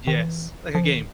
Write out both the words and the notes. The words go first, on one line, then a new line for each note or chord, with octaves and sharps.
Yes, like a game.
D#3
E3
F3
E3
D#3